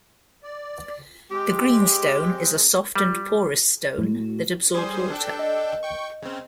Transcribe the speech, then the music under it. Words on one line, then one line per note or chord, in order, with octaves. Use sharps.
The greenstone is a soft and porous stone that absorbs water.
D5
G#3 C4 G4
G3
A2
G3 G#4 C5
D4 A4 G5
D#5
G5 C#6
C#3 C4